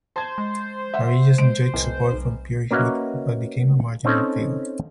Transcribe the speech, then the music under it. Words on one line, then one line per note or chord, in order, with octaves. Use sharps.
Varillas enjoyed support from Pierre Huet but became a marginal figure.
C5 A5 G#6
G#3
E5 F#5
G#3 D7
F1 C2
B1
A#3 C#4 F#4 B4 D#5 E5
C4 C#4 D#4 A4